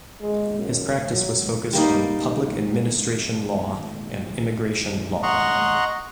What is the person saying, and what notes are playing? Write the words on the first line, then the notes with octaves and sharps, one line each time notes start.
His practice was focused on Public Administration Law and Immigration Law.
G#3
F#2
F#3
G3 A#3 D#4
D#5 F#5 A#5 C6 C#6